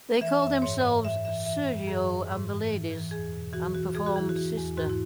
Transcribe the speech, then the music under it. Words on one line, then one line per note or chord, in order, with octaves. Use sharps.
They called themselves "Sergio and The Ladies" and performed Sister.
E3 E5
F#2 E5
G#2 C#5
G#2
G#2 E5
E3 E5
E3 E5
F#2
F#2 G#4
F#2
G#2
E3
E3
E3
E2 G#4
B2
E3 F#4
E3 F#4
E3 G#4
F#4
E3 E4
F#4
E3
E2
G#2 F#4
E4